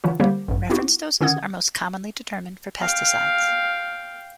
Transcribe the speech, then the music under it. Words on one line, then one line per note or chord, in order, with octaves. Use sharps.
Reference doses are most commonly determined for pesticides.
D3 E3 F#3 F4
D3 G3 A#3 G4 C5
A1 G2
B3 D#4 E4 F#4 G4
D3 D#3 C#4 F#5 D#6 G#6
F5 G5